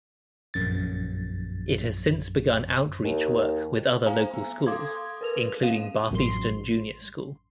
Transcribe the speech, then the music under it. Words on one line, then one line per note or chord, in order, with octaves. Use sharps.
It has since begun outreach work with other local schools, including Batheaston Junior School.
A#1 F#2 A6
D#2
C5 F5 G#5 A#5
B3
A4 F5 C6 D6 D#6 G#6
A#4 B4 F7
A#3 C#4 F5 D#7 E7
A1 F#2 C6